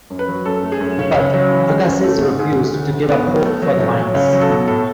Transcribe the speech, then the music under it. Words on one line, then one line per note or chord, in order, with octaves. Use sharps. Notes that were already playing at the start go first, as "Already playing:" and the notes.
But Agassiz refused to give up hope for the mines.
F#2
B4
F#3
F#2 A4
A3
G#4
F#2
C#3 C#4
C#2
F#3
E3
G#3
F#2
A3
G#2
G#2
D2
D2
D2
G#2 B3
F#3
A3
F#3
A2
F#3
C#2 C#4
F#3
A4
B2
A2 A4